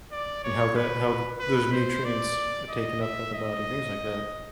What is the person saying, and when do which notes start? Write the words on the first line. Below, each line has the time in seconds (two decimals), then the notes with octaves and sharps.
and how that how those nutrients are taken up by the body, things like that.
0.12 D5
0.43 C#5
0.75 B4
1.40 B4
1.72 C5
2.05 D5
2.69 D#5
3.01 E5
3.33 D#5